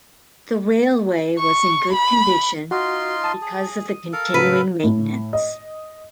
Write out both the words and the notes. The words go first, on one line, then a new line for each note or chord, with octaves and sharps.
The railway was in good condition because of the continuing maintenance.
C#6
B5
D#4 F4 F#4 C6
A5 D#6
G#4
D#6
A4 A#4 F5
A2 C#3 F#4 B4
A2
D#5